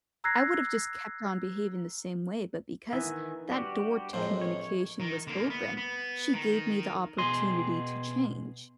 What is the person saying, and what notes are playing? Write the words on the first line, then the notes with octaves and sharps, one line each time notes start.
I would've just kept on behaving the same way. But because that door to communication was open, she gave me the opportunity to change.
A#5 E6 F#6 G#6 A#6 C7
D#3 E3 B3 E5 G#5
G3 D4 F#4 G4
F2 A2 G#3 A#3 C4 C5
C#5
D#3
D3 A#3
B3
B3
D#3
B2 G#4 D#5 C6